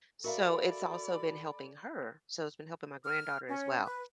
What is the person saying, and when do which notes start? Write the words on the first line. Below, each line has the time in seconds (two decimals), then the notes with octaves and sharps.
So, it's also been helping her, so it's been helping my granddaughter as well.
0.24 F#4 A4 A#4 D5 E5 F5 A#5 B5
3.04 F6
3.47 C#4
3.84 B4